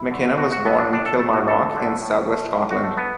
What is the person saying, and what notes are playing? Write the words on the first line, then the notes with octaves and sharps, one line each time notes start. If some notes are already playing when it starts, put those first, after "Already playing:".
McKinna was born in Kilmarnock in southwest Scotland.
Already playing: E4
D3 A3
A2 F#4
F#4
E3 A3 B3
D4
A2 D4
A4
A3 A4
F#4
D2 A4
D3 A3
A2
A3
A2
F#4
A3
B3